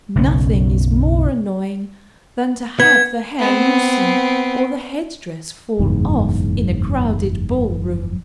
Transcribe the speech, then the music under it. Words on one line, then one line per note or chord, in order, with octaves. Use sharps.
Nothing is more annoying than to have the hair loosen or the head-dress fall off in a crowded ball room.
F#1 B1 C#3 C#4
B3 G#6
B3 C4
F#1 E2 G#2